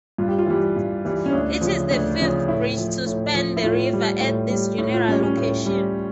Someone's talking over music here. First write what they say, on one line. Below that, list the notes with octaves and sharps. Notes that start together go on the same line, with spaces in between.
It is the fifth bridge to span the river at this general location.
G2 F4
G4
F4
E3 G3
G2
E3 G3
C#4
D2 D4
C#3 F3
D2 D4
C#3 F3
A2 E4
F3
A2
F3
E4
A2 F4
G3
A2
G3
A2
F4
G3 C#4
C#4
A2
G3